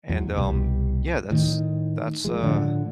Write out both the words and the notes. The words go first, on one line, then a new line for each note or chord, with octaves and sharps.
And, um, yeah, that's that's, uh
E2 F#3
C2 B2 G3
A2 D#3
F3 G#3
A2 D3 F3